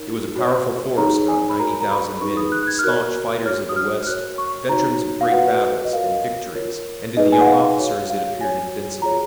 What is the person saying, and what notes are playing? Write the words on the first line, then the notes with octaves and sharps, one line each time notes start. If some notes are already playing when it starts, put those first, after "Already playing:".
It was a powerful force, about ninety thousand men, the staunch fighters of the West, veterans of great battles and victories, and to the young officers it appeared invincible.
Already playing: D#4 A#4 C#5
F#4 C#5
D#4 G#4 C#5 A#5
G#5
B5
F#4 A#4 C#5 A#5
A#5
B5
B5
D#4 G#4 B4 C#6
D#6
F#6
F#6
G#6
F6
F#4 A#4 C#5 F#6
F#4 C#5 F6
D#6
F6
F6
F#4 A#4 C#5 F#6
C#6
D#4 F#4 C#5 A#5
F5
F#4 B4 F#5
D#5
F4 A#4 C#5 F5
F4 A#4 C#5
D#4 G#4 B4 D#5
G#5
F#5
F5
F#4 C#5 F5
F5
F#4 C#5 G#5
F4 G#4 C#5 A#5